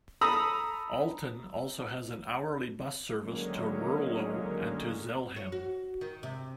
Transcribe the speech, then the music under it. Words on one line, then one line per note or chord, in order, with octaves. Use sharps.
Aalten also has an hourly bus service to Ruurlo and to Zelhem.
A4 A#5 B5 D#6 E6
D3 D#3 F#3 G#3 A#3 C#4
C#5
F#4
D#3
C3